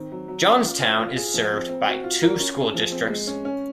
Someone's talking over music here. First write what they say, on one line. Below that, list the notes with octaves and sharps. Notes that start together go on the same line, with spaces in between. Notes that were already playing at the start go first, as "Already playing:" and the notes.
Johnstown is served by two school districts.
Already playing: D#3 C4
F#3
F#3
C#4
F4
C5
F4
G#4
F3
C4
C4
F#4
F4
A#4
C#4
G#4
F3
C4
G#3
C#4
C#4